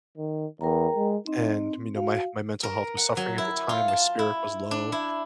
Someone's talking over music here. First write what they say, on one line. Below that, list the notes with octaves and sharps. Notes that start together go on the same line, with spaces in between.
And, me know, my h my mental health was suffering at the time, my spirit was low,
D#3
E2 A#4 G5 A#5
G#3
C4 D#4
F#4 F5
A#4
F#5
F#3
E4
F4
A5
E4
D4
E4